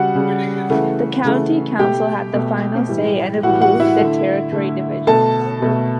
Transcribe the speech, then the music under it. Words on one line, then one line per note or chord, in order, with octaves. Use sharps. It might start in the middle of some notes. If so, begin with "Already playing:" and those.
The County Council had the final say and approved the territory divisions.
Already playing: C#3 G3 F#4 F#5
C#3 G3
C#3 E3 A3
C#3 E3 A3
B2 A3 G4 G5
B2 A3
A2 E3 G3
A2 E3 G3 F#4 F#5
F#4 F#5
E4 E5
D3 A3
D3 A3
B2 A3 A4 A5
B2 A3